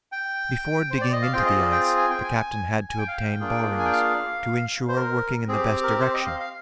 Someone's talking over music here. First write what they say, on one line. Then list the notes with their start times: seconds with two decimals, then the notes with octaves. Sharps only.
Before digging into the ice, the captain had to obtain borings, to insure working in the best direction.
0.12 G5
0.91 C5
1.01 D5
1.12 D#5
1.22 F5
1.33 C4 F4 G#4 G5
1.46 D#5
1.59 D5
1.72 G5
1.97 G#5
2.10 G5
2.23 G#5
2.89 G#5
2.98 G5
3.08 F5
3.17 G5
3.40 A#3 D4 F4 G#4
3.79 G#5
3.85 G5
3.93 F5
4.88 C5
4.96 A#4
5.48 C4 G4 G#4
5.83 A#4
6.01 C5
6.14 D#5
6.27 F5
6.40 F5